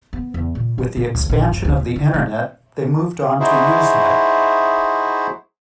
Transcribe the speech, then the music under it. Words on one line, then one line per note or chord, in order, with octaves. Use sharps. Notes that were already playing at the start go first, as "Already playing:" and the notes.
With the expansion of the Internet they moved on to Usenet.
B3
E2
A#2
F#3
A#2
C#2
A#1
G2
D2
E2
D3
G#3
D#4 E4 F#4 G#4 C5 E5